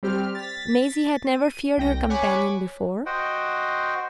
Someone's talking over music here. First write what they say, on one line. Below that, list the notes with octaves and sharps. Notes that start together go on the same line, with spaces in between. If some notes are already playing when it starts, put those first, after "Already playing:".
Maisie had never feared her companion before.
G3 C4 G4 F6
A6 B6
D#7
C2 G5 A#6
C#5 F#5 G#5 B5 C#6 D6
F#4 C5 D#5 F#5 G5